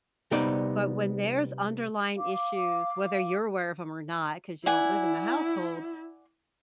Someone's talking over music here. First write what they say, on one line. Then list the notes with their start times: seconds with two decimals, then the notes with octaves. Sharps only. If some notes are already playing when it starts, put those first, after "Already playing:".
but when there's underlying issues, whether you're aware of 'em or not, 'cause you don't live in the household,
0.31 C3 G3 B3 D#4 D5
2.18 F5 D6
4.66 E4 D5 F#5 G#5